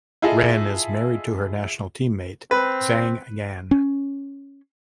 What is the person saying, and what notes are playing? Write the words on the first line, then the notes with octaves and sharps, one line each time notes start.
Ren is married to her national teammate Zhang Yan.
E4 F4 G#4 A4 D#5 E5
C4 B4
C#4